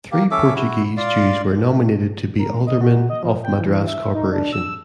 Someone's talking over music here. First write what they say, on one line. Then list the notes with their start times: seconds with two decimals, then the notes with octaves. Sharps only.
Three Portuguese Jews were nominated to be aldermen of Madras Corporation.
0.11 A#3 G4
0.31 C#4 A4 E5 D6
0.54 E4 F#4
0.97 F4 D5 F5
2.39 A#4
2.67 D#5
2.81 F#4
3.10 D#5
3.23 F3
3.44 G5
3.61 E3
3.87 E5
4.14 D#4
4.32 D4
4.53 E6